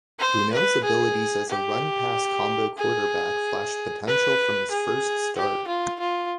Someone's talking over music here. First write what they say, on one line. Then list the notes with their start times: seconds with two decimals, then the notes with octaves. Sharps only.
Brunell's abilities as a run-pass combo quarterback flashed potential from his first start.
0.20 C5
0.53 B4
0.84 G#4
1.50 G4
2.78 G#4
4.07 B4
4.71 G#4
5.36 G4
5.67 F4
6.00 F4